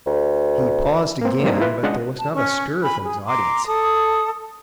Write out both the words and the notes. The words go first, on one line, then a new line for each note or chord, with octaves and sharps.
He paused again, but there was not a stir from his audience.
D2
A#3 C4
E3 G3 A#3 C4 D4 D#4
E4 F4 B4
G#3 C#4 D4 F4 D#5 F#5
A5
C#4 C#6
G#5 B5
G#4
A#5 C6 D6
A4 D#6